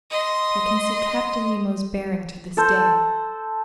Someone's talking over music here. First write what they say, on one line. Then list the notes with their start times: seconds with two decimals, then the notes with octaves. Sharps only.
I can see Captain Nemo's bearing to this day.
0.10 D#5 C6
2.57 A4 C5